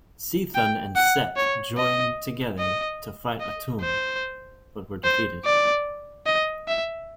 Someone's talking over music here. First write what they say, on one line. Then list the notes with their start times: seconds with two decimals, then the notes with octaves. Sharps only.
Chthon and Set joined together to fight Atum, but were defeated.
0.55 G5
0.96 F#5
1.36 C#5
1.78 D#5
2.59 D#5
3.40 D#5
3.82 C5
5.04 C5
5.45 D5
6.26 D#5
6.68 E5